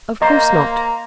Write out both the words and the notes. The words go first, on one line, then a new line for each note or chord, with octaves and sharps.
"Of course not."
A#3 C5 D#5 A#5